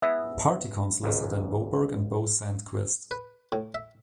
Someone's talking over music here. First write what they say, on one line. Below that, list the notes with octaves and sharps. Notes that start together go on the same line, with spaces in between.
Party councilors are Dan Boberg and Bo Sandquist.
B3 E4 G#4 B4 E5 E6
G#1 C#2 G#2
B4
A2
E5